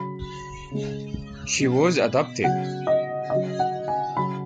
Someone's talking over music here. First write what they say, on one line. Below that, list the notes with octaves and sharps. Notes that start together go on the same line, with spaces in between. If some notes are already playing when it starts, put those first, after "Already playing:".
She was adopted.
Already playing: C#3 F#3 B5
C#3 G#3
B2 F#3
C#3 F#3 F#5
D#5
C#3 F#3 D#5
F#5
G#5
C#3 F#3 B5